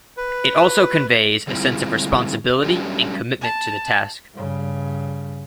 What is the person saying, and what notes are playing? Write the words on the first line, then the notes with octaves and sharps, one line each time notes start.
It also conveys a sense of responsibility and commitment to the task.
B4
D3 G3 G#3 C4 E4 F4
F#3 G3 A3 C#4 D4 G4
A5
G2 C#3